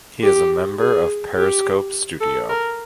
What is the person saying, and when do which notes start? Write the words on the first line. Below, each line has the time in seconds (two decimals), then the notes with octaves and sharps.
He is a member of Periscope Studio.
0.23 G4
0.79 G#4
1.36 G4
2.21 A4
2.49 A#4